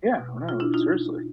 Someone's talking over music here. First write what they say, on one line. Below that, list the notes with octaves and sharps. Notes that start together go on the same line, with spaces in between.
Yeah, I know, seriously.
B2
F4
D4 E4
D#4 F4